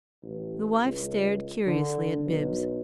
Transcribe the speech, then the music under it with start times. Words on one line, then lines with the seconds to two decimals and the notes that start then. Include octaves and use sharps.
The wife stared curiously at Bibbs.
0.23 A1
0.85 C#2
1.67 D3
2.26 B1